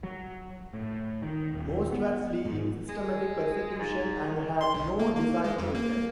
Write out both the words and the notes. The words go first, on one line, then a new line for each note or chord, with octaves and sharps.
Most were fleeing systematic persecution and had no desire to return.
F#3
A2
D#3
D#1
B3
G#2
G#3
G#2
C6
B1
A#3
A#3
G#3
F2
A#3